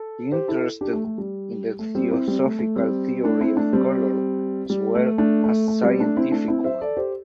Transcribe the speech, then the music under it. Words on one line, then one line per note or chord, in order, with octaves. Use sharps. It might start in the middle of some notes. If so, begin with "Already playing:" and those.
He interested in the Theosophical theory of colour as well as scientific one.
Already playing: A4
G4 C5
E4 A4
D4 G4
A3
A3
G3
A3
G3 C4
C4 E4
G3 C4
A3
A3
G3 C4
A3 D4
C4 E4
A3 D4
G3 C4
G3
A3
A3 D4
A3
A3
G3 C4
A3 D4
C4 E4
A3 D4
C4 E4
C5 E5
A4 D5
G4 C5